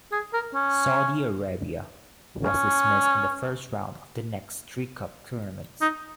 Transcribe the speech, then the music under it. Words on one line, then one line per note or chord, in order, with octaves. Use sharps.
Saudi Arabia was dismissed in the first round of the next three Cup tournaments.
G#4
A#4
C#4
C#4
D#4